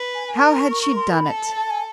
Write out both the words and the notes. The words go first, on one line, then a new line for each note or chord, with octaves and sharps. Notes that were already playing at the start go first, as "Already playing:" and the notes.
How had she done it?
Already playing: B4
G#5
G#5
A#4 A5
A#5
C#6
C#6
C#6
C6
B5
A4
A5
G#5